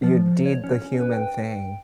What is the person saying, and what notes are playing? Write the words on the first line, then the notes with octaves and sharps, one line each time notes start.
you did the human thing,
F3
C#5
C#4
B4
G5